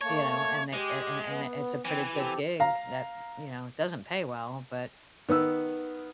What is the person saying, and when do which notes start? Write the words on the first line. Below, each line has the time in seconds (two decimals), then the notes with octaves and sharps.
you know, and they a a and it it's a pretty good gig that, you know, doesn't pay well, but,
0.01 A3 A#3 C#5 A5
0.73 G#3 G4
1.28 B3
1.85 E3 C4 G#5
2.14 C4 G4 A4
2.60 F5 A#5
5.29 D#3 B3 B4 E6